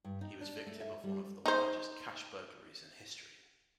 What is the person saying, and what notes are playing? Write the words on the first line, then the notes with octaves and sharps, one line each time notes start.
He was victim of one of the largest cash burglaries in history.
G2
D#4
D4
A3
E5
G3
D#4 C5